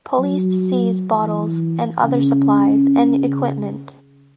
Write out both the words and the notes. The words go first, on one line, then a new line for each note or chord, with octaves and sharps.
Police seized bottles and other supplies and equipment.
F#3
E3
C#3